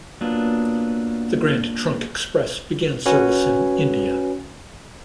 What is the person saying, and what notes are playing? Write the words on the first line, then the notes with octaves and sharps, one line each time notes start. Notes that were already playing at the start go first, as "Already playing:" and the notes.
The Grand Trunk Express began service in India.
F#3 A#3 B3 D4 F4
C#4 F#4 B4 C#5 G#5